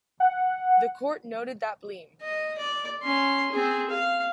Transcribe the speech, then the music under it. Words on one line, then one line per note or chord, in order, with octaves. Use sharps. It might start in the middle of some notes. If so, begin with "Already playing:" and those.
The court noted that Bleem!
F#5
D#5
D5
C#4 C6
C4 G#4
F5